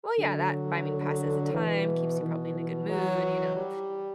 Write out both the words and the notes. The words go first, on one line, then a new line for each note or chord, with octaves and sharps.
Well, yeah, that, I mean, passes the time, keeps you probably in a good mood, you know,
D3 F#3
B2 E3
E3
E3
F#3
G3